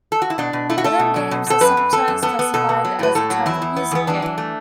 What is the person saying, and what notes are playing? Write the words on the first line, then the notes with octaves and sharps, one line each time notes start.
Rhythm games are sometimes classified as a type of music game.
A4
F#4
E4
B2 D4
B2
A3 E4
F#4
A3 A4
B2
F#3
B2
B2 A4
F#2 B4
F#2
B3 A4
F#2
B3 A4
B3
B2 A4
B3
F#3
A2 B4
A2 A4
F#3 F#4
E2 E4
E2
B3
E2 B3
E3 D4
E3
A3